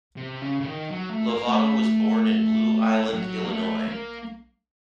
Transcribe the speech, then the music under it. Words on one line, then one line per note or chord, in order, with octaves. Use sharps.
Lovato was born in Blue Island, Illinois.
C3
C#3
C#3
D#3
F#3
A3
A#3
A3
F#3
A#3
A3
A#3